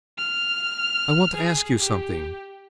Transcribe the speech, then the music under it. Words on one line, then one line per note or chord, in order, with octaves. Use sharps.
I want to ask you something.
F6
G#4
G4